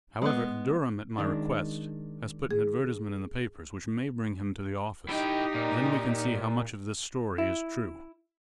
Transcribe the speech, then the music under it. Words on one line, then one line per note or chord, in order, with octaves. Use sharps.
However, Durham, at my request, has put an advertisement in the papers which may bring him to the office, then we can see how much of this story is true.
G#3 B3
D#3 G#3 D4
G#4
D#4 E4 G4 G5
A#2
E4